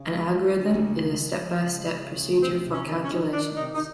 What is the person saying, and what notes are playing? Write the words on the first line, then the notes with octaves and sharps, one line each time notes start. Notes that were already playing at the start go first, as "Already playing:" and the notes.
An algorithm is a step-by-step procedure for calculations.
Already playing: C#3
G#3
G#3
D2
C#3
G#3
F3
C#3
G#3
C#3
D2
C3 C4
C3
C#4
D#3
C#4
D#3
D#3 D4
C3 D#4
D#4